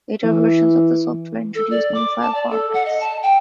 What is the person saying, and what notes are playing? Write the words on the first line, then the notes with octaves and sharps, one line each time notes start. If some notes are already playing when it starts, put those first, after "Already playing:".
Later versions of the software introduced new file formats.
E3
A4
D5
D6
A5
D5
A4
F#5
D#5
A5
G5